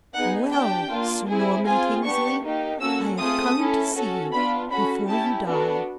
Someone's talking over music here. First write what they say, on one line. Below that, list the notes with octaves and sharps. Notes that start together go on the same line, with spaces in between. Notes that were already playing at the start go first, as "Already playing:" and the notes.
"Well, Sir Norman Kingsley, I have come to see you before you die."
B3 D#4 G#4 F#5
D4 G4 G5
A#3 D4 F4
C4 E4 G#4
C4 F4 G#4 G#5
B3 D4 G4 C#6
A#3 D#4 G4
A#3 C#4 F#4 A4 E6
A3 C4 F4 G#4 D#6
C#4 E4 A4
C#4 F#4 A4
B3 D4 F4 B5
C#4 F#4 A4 B5
C#4 E4 G4 A5
B3 D4 F#4 A4